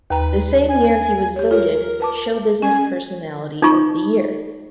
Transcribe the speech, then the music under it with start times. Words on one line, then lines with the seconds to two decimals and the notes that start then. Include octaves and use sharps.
The same year he was voted 'Showbusiness Personality of the Year'.
0.10 D#2 B4 A#5
0.69 G#5
1.36 G4 C#5
1.51 F4 A#4 C#5
2.00 B4 A5 D6
2.62 C#4 G#5
3.62 D#4 F4 C#6